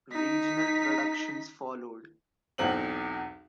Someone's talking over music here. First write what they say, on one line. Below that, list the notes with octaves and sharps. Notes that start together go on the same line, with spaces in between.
Regional productions followed.
D#4 B6
B1 E2 C4 F#7